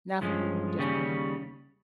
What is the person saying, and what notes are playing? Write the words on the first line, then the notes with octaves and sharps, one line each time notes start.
not for people who just wanna eat.
G2 F3 G#3 C#4
D#2 C#3 G3 C#4